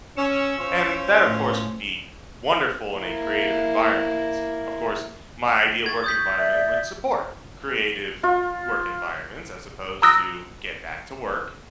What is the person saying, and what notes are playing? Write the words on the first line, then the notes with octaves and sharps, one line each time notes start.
And that, of course, would be wonderful in a creative environment, of course, my ideal work environment would support creative work environments as opposed to "get back to work"
C#4 C#6 E6
C#4 F4 C5
A2
A#3 E4
C#6 G#6 A6
D#6 G6 B6
D5 E5
F4
A#5 D#6 E6 F#6 A#6